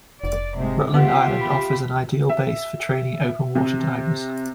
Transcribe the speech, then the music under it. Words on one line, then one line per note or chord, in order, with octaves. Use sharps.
Rutland Island offers an ideal base for training open water divers.
F1 D5
G#2 C3 G#3
B3 F4 G4 E5 F#5
B5
E5
C3